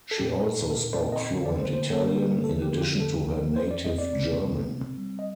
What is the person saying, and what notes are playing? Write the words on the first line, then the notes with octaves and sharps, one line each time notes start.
She also spoke fluent Italian in addition to her native German.
A4
A#2 G4
A#4
A#2 A4
A4
A#2 A#4
D5
C4
D#5
D3
D5
D3 C5
C5
A#3 A4
A#4
D3 A#4
A#4
F3 A4
G4
D3
G4
F4
F3 A4
F3 A#4
F2 C5
D5
C4 D#5
D5
C3
C3
C4
G3
D#5